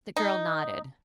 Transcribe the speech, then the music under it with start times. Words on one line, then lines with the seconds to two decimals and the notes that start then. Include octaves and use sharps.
The girl nodded.
0.17 D#4